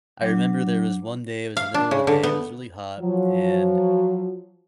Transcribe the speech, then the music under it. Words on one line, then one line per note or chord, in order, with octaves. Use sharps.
I remember there was one day, it was the middle of the day, it was really hot, and,
F#3 D4
F5
D4
C#3
D3
B3
F3 F#3